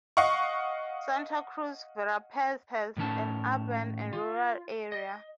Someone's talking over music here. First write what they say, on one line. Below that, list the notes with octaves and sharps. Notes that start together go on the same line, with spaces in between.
Santa Cruz Verapaz has an urban and a rural area.
D#5 F5 F#5 C#6
A2 D#3 C#4 A5
F4
D#5